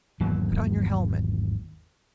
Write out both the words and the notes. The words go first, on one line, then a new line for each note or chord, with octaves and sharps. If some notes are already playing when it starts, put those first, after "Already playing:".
"Put on your helmet!"
G#1 E2 F#3 A#3